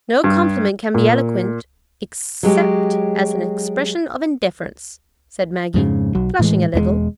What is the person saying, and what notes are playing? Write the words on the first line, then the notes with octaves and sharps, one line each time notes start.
"No compliment can be eloquent, except as an expression of indifference," said Maggie, flushing a little.
G2
A#2
F#3 G#3 G4
F2 G#2 C#3
B1 F#3
A2 E3 G#3
E1 E2 D#3 G#3